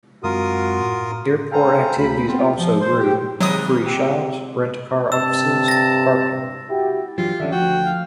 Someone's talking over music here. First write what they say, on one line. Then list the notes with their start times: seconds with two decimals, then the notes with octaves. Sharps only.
Airport activities also grew: free shops, rent-a-car offices, parking.
0.23 F#2 G#3 C4 F4 F#4 A#4 D#6
0.83 A2
1.52 A4 C5 F5 G5 G#5 A#5
1.97 D2 B5
2.29 B3 C4 F4
2.58 F3
2.82 C5
2.99 G4 G5
3.40 G#2 C3 D#3 F#3 G#3 D#5 D#6
3.86 C3 G4
5.12 G2 C3 A5 E6
5.68 A6 A#6
6.69 E4 F#4 G4
7.18 G2 E3 F#3 F4 G4
7.40 D3 D#3 F3 C#4 E5
7.52 D2 F3 F#4 G5
7.85 F5